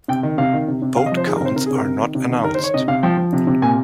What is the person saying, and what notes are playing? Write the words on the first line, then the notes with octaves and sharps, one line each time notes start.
Vote counts are not announced.
C3 G5
D#3
C3 F5
D#3
C3
C3
C3 F5
D#5
F3
C5
D#3 G#4
A#4
C3 C5
C3 A#4
G#4
C3 A#4
C3
D#3
C3
D#3
D#3 A#4
C5
D#3 C#5
C3 D#5
C3 F5
F3 G5
F3
C3
C3
A#2 G#5